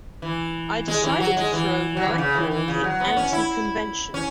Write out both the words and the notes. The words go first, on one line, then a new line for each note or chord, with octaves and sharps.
I decided to throw what I call the 'anti-convention.
E3
G#3
E3
F#3
G#3
E3
F#3
E3
C#3
E3
E3
C#3
F#3
B3
C#4
E4
C#4